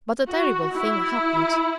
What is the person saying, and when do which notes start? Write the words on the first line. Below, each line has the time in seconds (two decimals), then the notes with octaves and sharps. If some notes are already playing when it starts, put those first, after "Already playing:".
But a terrible thing happened!
0.28 F#4
0.74 E4